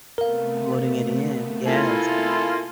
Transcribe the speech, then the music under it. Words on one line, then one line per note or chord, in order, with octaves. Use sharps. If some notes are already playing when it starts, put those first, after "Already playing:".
Loading it in, yes.
C3 A3 B3 A#4 F5
A#3 E4 F4 A4 G#5